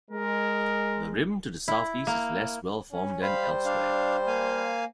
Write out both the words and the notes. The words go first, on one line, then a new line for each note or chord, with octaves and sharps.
The rim to the southeast is less well-formed than elsewhere.
G#3 A#4
E4
A#3
C#4
G3 C5 F5 B5
D4 F5
A#3 F5 G#5